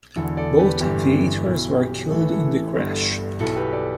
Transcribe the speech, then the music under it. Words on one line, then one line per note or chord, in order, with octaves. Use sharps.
Both aviators were killed in the crash.
E1 E2 D3 E4 A4
A4 D5
G4 B4
G1 G2 E3 G4
B1 B2 E4
G4
A1 A2 E3 A4
B4
E4 A4
G1 G2 D3
B1 B2 E4 A4
G4 B4
A4 D5